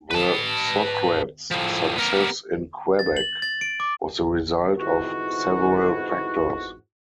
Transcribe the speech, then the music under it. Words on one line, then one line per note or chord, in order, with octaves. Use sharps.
The Socreds' success in Quebec was the result of several factors.
B4 A5
A2 F3
B3 A#4
A6
F#7
A6
D7
D6
F2 G#2 E3 E4 F#4